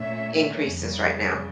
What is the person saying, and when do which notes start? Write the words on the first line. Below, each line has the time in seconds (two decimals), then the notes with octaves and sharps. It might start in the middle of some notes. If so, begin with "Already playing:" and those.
increases right now.
Already playing: A#2 A3 C#4 E5
0.76 F2 C#3 G3